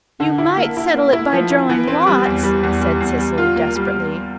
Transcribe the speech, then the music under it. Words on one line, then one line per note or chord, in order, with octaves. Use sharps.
"You might settle it by drawing lots," said Cecily desperately.
D3
E4
A#3
E4
A#3
E4
F3
E4
E3
C4
G3
E2
G3
E2
G3
E2
G3
F4
A#3
G3